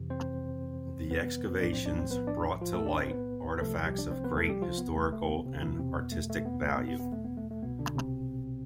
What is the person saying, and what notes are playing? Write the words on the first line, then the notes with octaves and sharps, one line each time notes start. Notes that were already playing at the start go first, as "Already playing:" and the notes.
The excavations brought to light artifacts of great historical and artistic value.
Already playing: F2 C3 E3
C4 C5
B3 B4
B1 A2 F3 D4 D5
C4 C5
D4 D5
C4 C5
B3 B4
D4 D5
F3 F4
A3 A4
D4 D5
C4 C5
B3 B4
C2 C3 F3 A3 A4
G3 G4
D4 D5
C4 C5
B3 B4
A3 A4
G3 G4
F3 F4
B3
A3
A3
B3
C3 C4
E2 B2 E3 E4
C3 C4
B3
A3
A3
B3
A3
B3
B3
B3
A3
B3
A3
A3
C2 B2 B3
D3 D4
C3 C4